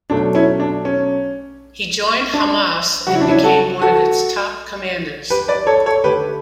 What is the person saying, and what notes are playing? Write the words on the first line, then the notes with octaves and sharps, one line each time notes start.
He joined Hamas and became one of its top commanders.
B2 F#3 A3 D4
C#4 E4
D4
C#4
D4
C#3 G3 F#4
E4
D4
C#4 E4
F#4 A4
F#4 A4
G4 B4
B4 D5
A4 C#5
A4 C#5
D3 A3 G4 B4